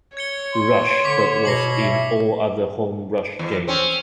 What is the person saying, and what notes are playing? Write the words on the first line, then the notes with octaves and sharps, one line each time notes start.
Rush, but was in all other home Rush games.
C#5 G#6 C#7 G7
C6
D3 C#6 D6 B6
B2 A#6 C7 F#7
E5
E2
C4 C#4